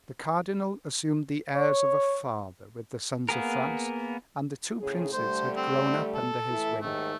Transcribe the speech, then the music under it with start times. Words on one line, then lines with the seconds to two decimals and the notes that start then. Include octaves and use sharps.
The cardinal assumed the airs of a father with the sons of France, and the two princes had grown up under his wing.
1.55 C#5
3.29 A#3 B3 G#4 A#4
4.80 A2 C#3 G#4
5.13 D3 G3 A3 C5
5.57 C4
6.15 A4
6.50 E3 A3 E4
6.82 D#2 G#2 D#3 A3